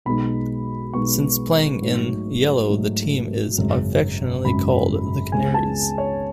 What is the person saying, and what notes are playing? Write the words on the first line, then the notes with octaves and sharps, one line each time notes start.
Since playing in yellow the team is affectionately called "the Canaries".
B1 B2 G#3 B3 D#4 B5
B1 B2 G#3 B3 D#4 C#6
G#2 F#3 A3 D#4
G#2 F#3 A3 D#4
G#1 F#2 C#3 G#3
G#1 F#2 C#3 G#3 B5
C#2 C#3 G#3 B3 G#5
A5
C#5